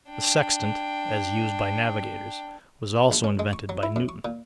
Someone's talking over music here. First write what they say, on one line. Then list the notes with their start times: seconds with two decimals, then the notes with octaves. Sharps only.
The sextant, as used by navigators, was also invented by Newton.
0.10 D4 G5
3.11 A#1
3.24 C#4
3.39 G#3
3.53 C#6
3.69 F#3
3.83 E4
3.96 F#2
4.09 C#6
4.25 A#2